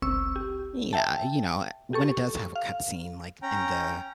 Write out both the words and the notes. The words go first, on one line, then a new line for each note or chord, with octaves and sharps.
Yeah, you know, when it does have a cut scene, like, in the
G1 C#2 C4 C#6 E6
G4
E5 G5 A5
G4 A4 C#6
F5
C#4 G5 A#5